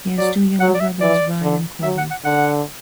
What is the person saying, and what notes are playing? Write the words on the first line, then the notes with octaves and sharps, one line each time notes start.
He has two younger brothers, Ryan and Cory.
F#3 D5
F#3 F#5
D5
E5
E3 D5
D3
F#3 E5
F#5
F#5
D3 F#5